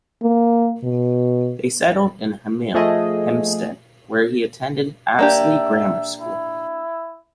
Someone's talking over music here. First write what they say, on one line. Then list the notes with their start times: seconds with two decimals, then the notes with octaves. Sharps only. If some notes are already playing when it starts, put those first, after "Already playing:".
They settled in Hemel Hempstead where he attended Apsley Grammar School.
0.23 A#3
0.84 B2
2.74 F3 A3 G#4 D#5
5.19 A#3 D4 G4 E5
6.19 E4